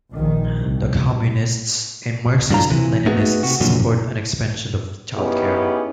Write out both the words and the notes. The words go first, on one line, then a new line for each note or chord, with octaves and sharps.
The Communists and Marxist-Leninists support an expansion of child care.
A#1 D#3
C2
G2 D3 F#3 F4 A#5
C3 E3
A3 B3 D#4 F#4 G#4
C3 F#4
F2 A#2 D3 F#3
B3 C#4 D#4 E4 G4 G#4